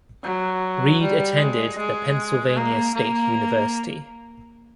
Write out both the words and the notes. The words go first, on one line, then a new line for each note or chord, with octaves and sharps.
Reid attended the Pennsylvania State University.
F#3
G3
G#3
G#3
A#3
A#3